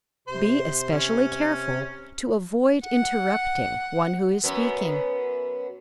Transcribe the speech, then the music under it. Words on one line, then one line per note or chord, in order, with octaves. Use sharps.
Be especially careful to avoid interrupting one who is speaking.
C3 C5
C#4
F#5
F#2 B3